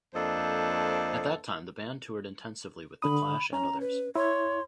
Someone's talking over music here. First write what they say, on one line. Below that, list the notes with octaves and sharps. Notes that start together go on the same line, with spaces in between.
At that time the band toured intensively with The Clash and others.
F2 A#3 D4 A4 C5 D#5
D3 D4 B5 D#6
C#4 A#5
B4
E4 C#5 C6